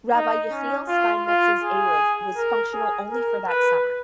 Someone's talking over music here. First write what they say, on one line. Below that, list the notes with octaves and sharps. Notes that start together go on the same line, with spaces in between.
Rabbi Yechiel Steinmetz's Eruv was functional only for that summer.
D#4
C#4
F4
F4
G#4
A#4
G#4
A#4
B4